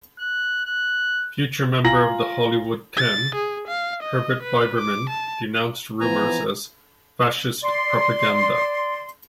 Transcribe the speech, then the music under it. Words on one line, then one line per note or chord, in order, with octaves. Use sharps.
Future member of the Hollywood Ten Herbert Biberman denounced rumors as "Fascist propaganda".
F#6
F#6
F4 G#5 A#5 A#6 F#7
A6
G#4
F5
D#5
B4
D6
A5
E3 F3 B3 G#5 A#5
D5 C6